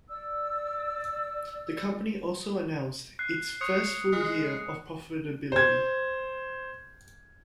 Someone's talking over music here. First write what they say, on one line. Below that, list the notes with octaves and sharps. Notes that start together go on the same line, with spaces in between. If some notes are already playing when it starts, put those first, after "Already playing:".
The company also announced its first full year of profitability.
D5 E6
F#6 C7
C#5 D#6 F#6 C#7
G#3
C5 G#6